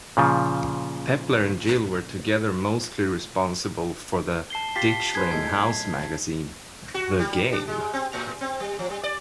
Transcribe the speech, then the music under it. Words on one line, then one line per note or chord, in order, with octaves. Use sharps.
Pepler and Gill were together mostly responsible for the Ditchling house magazine, "The Game".
A#2 C#3 F3
A5 C7 G7
F4 G4 A5 B6 C7 G7
G#4 B4 C5 G#6
B1 A2 G#3 G#6
F#4
G3
D4
G#3
C4
A2
C4
G3
F3
G3
D5